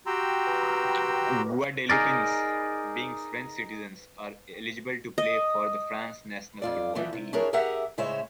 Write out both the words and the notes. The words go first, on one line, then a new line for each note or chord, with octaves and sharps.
Guadeloupeans, being French citizens, are eligible to play for the France national football team.
F#4 G4 G5 A#5 C6 E6
D#4 G#4 A#4 D5
D#5
F2 F4 D5
E3 F3 B3
C3
D4 E4 G#4 A#4 C#5
G4 G#4 A#4 E5 F#5
A2 C#3 G#3 C5 C#5 E5